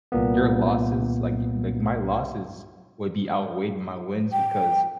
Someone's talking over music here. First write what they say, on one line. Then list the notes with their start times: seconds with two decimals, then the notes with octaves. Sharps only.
your losses like, y like, my losses would be outweighed my wins because
0.12 C2 A#2 A#3 B3
4.32 G5